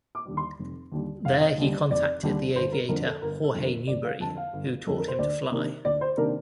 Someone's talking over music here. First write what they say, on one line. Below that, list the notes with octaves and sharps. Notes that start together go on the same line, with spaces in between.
There he contacted the aviator Jorge Newbery, who taught him to fly.
D6
D#2 D3 G3
C6
F1
D#2 D3 G3
F1 F5
D#5
D#2 D3 G3
F1 D5
D#2 D3 G3
G1 C5
A#4
F2 D3 A#4
A4
G1 A#4
A4
F2 D3
A#4
G1 D5
F5
F2 D3 A5
F5
G1
F2 D3 A4
A#4
C5
D2 D5
C3 D#3 A#3 D4
D2 D5
C5
C3 D#3 A#3 D4 A#4